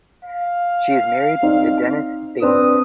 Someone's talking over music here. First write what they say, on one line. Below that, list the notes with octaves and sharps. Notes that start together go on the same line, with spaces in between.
She is married to Dennis Bates.
F5
C4 D#4 D5
C4 D4 B4 D#6